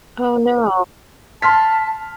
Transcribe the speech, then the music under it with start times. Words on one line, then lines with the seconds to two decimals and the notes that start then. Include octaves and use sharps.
Oh, no.
1.42 A5 C6 F6 B6